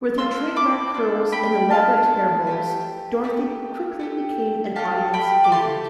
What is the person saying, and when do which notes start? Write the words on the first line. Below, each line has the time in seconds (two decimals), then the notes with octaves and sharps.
With her trademark curls and elaborate hair bows, Dorothy quickly became an audience favorite.
0.18 D4 F4 A4 C6 E6
0.56 B5 D6
0.94 D4 F4 A4
1.32 G5 B5
1.71 D4 F4 A4 F5 A5
2.47 A3 E4 G4
3.24 A3 E4 G4
3.99 A3 E4 G4
4.75 A3 E4 G4 F5 A5
5.14 G5 B5
5.44 D6
5.52 A3 E4 G4 A5 C6